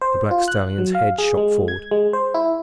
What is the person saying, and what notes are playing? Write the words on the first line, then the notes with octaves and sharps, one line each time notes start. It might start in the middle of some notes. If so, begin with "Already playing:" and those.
The black stallion's head shot forward.
C5
F4
F#6
F#3
F5
G#4
G#3
G#6
G#3
C5
E4